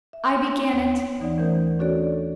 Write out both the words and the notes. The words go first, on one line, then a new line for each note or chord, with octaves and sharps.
I began it!
E5
D#2 B3 C#5 G5
D#2 E3 D#4 D5 F#5
E3 A3 C#4 A#4 C5 G6
C#4 D4 F#4 A4 C#5 D5